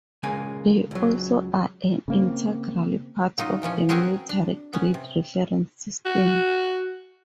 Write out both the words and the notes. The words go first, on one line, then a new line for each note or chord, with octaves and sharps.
They also are an integral part of the military grid reference system.
C#3 G#3 A#3 G#5
C#2 F#3
C#3 A#3 C4
C#3 F#3 D#4 F4
A#2 E3 F3 C#4
C4 C#4 F#4 G#4 A#4 C5
D4
B3 C#4
C3
F#4